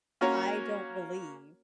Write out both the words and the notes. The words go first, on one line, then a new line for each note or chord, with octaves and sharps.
I don't believe
A#3 C#4 F#4 A#4 C#5 A#5